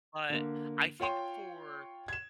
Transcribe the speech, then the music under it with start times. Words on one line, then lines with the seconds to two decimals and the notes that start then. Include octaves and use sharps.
but I think for
0.30 D3 A#3
1.00 F4 C#5 G5 C6
2.08 G#6 E7